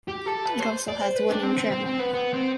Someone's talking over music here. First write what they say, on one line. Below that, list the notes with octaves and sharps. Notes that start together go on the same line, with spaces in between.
It also has wooden trim.
G4
A4
B4
C5
D5
C5
B4
D4
C4
C4
C4
C4
B3
B3
C4